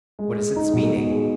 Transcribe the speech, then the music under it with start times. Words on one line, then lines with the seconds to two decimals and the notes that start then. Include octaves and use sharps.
What is its meaning?
0.19 G#3
0.37 G#4
0.56 D#4
0.73 B2
0.93 G#3
1.10 G#4